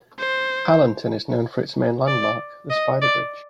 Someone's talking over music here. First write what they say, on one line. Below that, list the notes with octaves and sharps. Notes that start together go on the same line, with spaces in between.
Allenton is known for its main landmark, the Spider Bridge.
C5
D5
D#5
D5